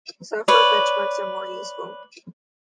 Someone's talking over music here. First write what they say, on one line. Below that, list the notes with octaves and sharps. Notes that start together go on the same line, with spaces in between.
Software benchmarks are more useful.
B4 C#5 D5